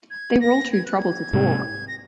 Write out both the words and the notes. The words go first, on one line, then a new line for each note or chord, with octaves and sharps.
They were all too troubled to talk.
G#6
A#6
G#6
F#6
G#6
G#2 C3
A#6